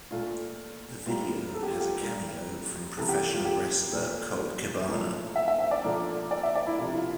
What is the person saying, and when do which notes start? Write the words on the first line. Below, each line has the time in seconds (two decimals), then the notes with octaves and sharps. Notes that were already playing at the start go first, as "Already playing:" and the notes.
The video has a cameo from professional wrestler Colt Cabana.
0.11 A#2 A3 F4
1.06 A2 G3 A#3 F4
1.54 A4
1.63 G4
1.71 F4
1.80 G4
2.01 A#2 G3 A#3
2.97 C3 E3 A#3 A4
3.09 G4
3.33 F4
3.45 G4
3.92 A#2 A3
4.88 A2 F3 A#3
5.36 E5
5.48 E5
5.60 E5
5.71 D5
5.84 D3 F3 A#3
6.31 D5
6.43 E5
6.55 D5
6.67 E4
6.79 C3 F3 A#3 E4
6.95 F4